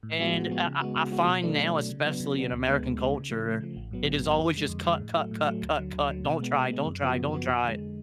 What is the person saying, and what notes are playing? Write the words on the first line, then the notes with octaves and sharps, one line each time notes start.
And I I I find now, especially in American culture, it is always just, cut, cut, cut, cut, cut, don't try, don't try, don't try,
A2
F3 G#3 B3 F#4
A2
F3 G#3 B3 F#4
C#3
G#3 B3 F#4
C#3
G#3 B3 F#4
B2
F#3 A3 D4
B2
F#3 A3 D4
C#3
F#3 B3 D4
C#3
F#3 B3 D4
D2
D3 G#3 B3
D2
D3 G#3 B3
C#3
F3 A3
C#3
F3 A3
A1
G#2 F#3 B3
A1
G#2 F#3 B3
F2
D3 G#3
F2
D3 G#3
A2
F#3 A3
A2
F#3 A3
D2
D3 F#3
D2
D3 F#3
B2
G#3 B3
B2
G#3 B3
F#2
C#3 F3 B3 F#4
F#2
C#3 F3 B3 F#4
F2
D3 G#3